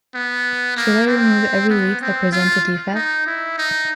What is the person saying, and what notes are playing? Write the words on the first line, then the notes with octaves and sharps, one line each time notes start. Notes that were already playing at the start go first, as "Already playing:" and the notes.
Should I remove every leaf that presents a defect?
B3
A#3
C4
B3
C4
F4
D#4
E4
D#4